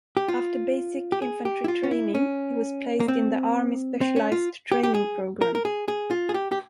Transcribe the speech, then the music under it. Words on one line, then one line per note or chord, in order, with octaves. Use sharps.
After basic infantry training, he was placed in the Army Specialized Training Program.
G4
F4
G4
G#4
G4
E4
F4
C#4
E4
C#4
A#3
C4
C4
C#4
F4
G4
G4
G#4
A#4
A#4
G#4
G#4
F4
G#4
G4
G4